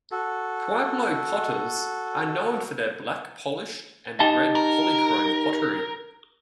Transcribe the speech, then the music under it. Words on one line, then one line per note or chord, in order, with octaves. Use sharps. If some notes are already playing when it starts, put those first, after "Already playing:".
Pueblo potters are known for their black polished and red polychrome pottery.
F#4 A4
D#4 G4 A5
A#4